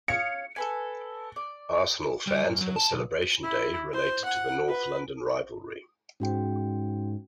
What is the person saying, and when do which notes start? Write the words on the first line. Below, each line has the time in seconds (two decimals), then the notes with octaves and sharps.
Arsenal fans have a celebration day related to the north London rivalry.
0.08 C#5 F5 D#6 C#7
0.56 A4 B4 G#5
1.36 D5
2.27 G3
2.44 F#2
2.61 F#3
2.76 A5
2.91 B1
3.43 E4
3.93 C5
4.25 F#5
4.68 B4
6.20 G#2 C#4 F#4 G5